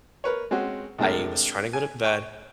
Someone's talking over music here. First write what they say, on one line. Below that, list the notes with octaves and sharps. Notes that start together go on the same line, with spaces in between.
I was trying to go to bed,
A#4 B4 C#5
G#3 C4 C#4 F#4
A2 C3 G#3 D4 A#4
G#5
G5 C#6